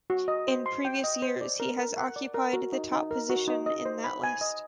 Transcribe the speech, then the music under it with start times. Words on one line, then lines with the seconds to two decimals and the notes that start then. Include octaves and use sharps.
In previous years he has occupied the top position in that list.
0.10 F#4
0.28 D#5
0.48 C5
0.66 C6
0.85 G5
1.04 D#5
1.22 C5
1.41 D5
1.60 A#4
1.79 A#4
1.97 F#5
2.16 D5
2.34 A#4
2.53 F#4
2.72 D#4
2.92 D#4
3.11 A#4
3.30 F#4
3.48 D#4
3.66 D#5
3.85 C5
4.04 B5
4.23 G#5
4.41 D#5